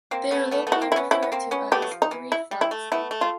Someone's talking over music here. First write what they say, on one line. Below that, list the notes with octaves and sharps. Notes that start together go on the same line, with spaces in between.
They are locally referred to as "Three Flats".
A#3 C4
A3 B3
A3 B3
A3 B3
F#4
A#3 C4
E4
B3 C#4
B3 C#4 E4
B3
A#3 C4
B3 C#4
A3 B3 G4
F#3
F3
D#4
E3
E4
G3
E4
A3
A3 B3 E4
A3
F4